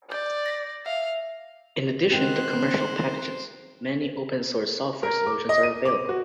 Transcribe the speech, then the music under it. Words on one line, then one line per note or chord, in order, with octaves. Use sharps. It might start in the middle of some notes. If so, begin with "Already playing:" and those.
In addition to commercial packages, many open-source software solutions are available.
D5 G6
A#6 B6
E5 F5
D#3 G#3 B3 C4 G#4 C5 G5 F#6
A#4
D6
D#5
D#7
D6
F#4